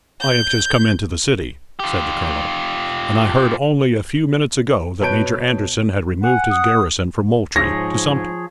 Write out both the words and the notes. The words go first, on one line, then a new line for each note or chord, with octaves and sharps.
"I have just come into the city," said the colonel, "and I heard only a few minutes ago that Major Anderson had removed his garrison from Moultrie to Sumter."
G6
F4 G4
B2 B4 C#5 A5 G6 D7
F#5 G#5
D#6
G#2 F3 G#4 C#5 A#6